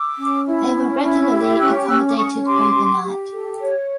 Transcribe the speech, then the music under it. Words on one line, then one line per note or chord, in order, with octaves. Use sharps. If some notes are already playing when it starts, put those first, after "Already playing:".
They were regularly accommodated overnight.
Already playing: D6 E6
C#4
E4
C#4
E4
G4
C#4 E6 F#6
C#4 E6 F#6
D6
C#4 C#6 D#6
G4 C6 D6
G4
G4
A4
C#5